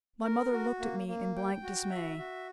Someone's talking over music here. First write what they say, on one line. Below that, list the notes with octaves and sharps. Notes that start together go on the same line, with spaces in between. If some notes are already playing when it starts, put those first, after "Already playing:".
My mother looked at me in blank dismay.
A#4
F#4
A#3
A#3
G5
F#4
E5
F#4